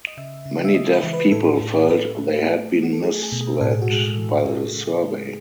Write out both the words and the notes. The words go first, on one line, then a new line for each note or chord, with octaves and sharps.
Many Deaf people felt they had been misled by the survey.
D#5
C#3 E5
C#3
E5
G#3 D#5
B4
E3
B4
A2 A4
A2
A2 B4
A3
B4
A3 A4
A3
A4
A3 G#4
G#4
B2
G#4
A2 A4
G#4
F#4
G#3 G#4
E3
A2
C#3
G#3